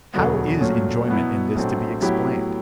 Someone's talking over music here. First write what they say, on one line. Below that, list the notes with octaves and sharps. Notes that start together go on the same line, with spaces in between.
How is enjoyment in this to be explained?
E1 D2 D3 F#3 B3
A#2 F#3 A3 C#4
B2 F#3 B3 E4
A#1 A2 F#3 A3 C4
A2 F#3 B3 E4 G4